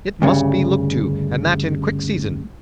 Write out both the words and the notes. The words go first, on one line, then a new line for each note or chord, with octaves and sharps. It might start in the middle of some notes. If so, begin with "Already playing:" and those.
It must be looked to, and that in quick season.
D2 G2 C#3